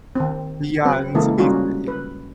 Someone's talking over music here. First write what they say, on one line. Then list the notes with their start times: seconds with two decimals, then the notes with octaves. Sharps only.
Yeah, and to be fit yeah.
0.15 D#3 C4
0.85 F#3 C4 B4
1.14 C#3 E3 G#3 A#3 E4 A4
1.38 G3 C#4 D#4 F4 F#4 G#4
1.88 B4